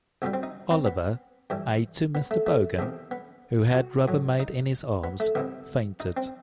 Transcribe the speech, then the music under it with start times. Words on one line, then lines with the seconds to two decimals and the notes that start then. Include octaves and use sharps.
Oliver, aide to Mr. Bogan, who had Rubbermaid in his arms, fainted.
0.22 C2 B2 G3 B3
0.34 C4
0.43 D#4
0.71 C4
0.86 B3
1.50 G2 E3 G3
2.15 B3
2.31 A3
2.47 A3
2.79 E2 C3 D#3
3.11 B3
3.75 F#4
4.08 A2 F#3
4.40 D#4
5.04 B3
5.20 A3
5.35 C2 C3 D#3 B3
6.00 D#4
6.17 C4